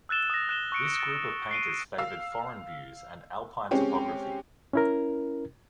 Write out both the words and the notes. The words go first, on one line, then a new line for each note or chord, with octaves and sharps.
This group of painters favored foreign views and alpine topography.
E6 F#6 A6 E7 G7
D#6 A#6
F#6 E7 G7
C#6 F#6 C#7 D7
A6
C7 D7 D#7
F5 E6
G#3 C4 C#4 G4
C#4 E4 A#4